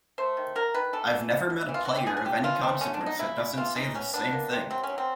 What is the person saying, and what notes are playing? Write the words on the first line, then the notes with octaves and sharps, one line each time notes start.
I've never met a player of any consequence that doesn't say the same thing.
A3 C5
D#3
F#3 A#4
D#3 B4
E3 A4
E3
B3
B2
E3
F4
E3 F#4
G4
D3 G#4
G#4
D3 G4
E3 F4
C#4
A3 C4
D3 C#4
D4
F#3
D#4
C#3 E4
C#3
E3 F4
E3 D#4
B3 C#4
B3 D4
A#3
C3
F#3 C4
C#4
F#3
C4